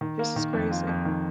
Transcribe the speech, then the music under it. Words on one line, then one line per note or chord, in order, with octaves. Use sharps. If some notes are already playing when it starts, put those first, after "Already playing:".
This is crazy.
D#3
A#3
D#3
F2
F4
F2
D#3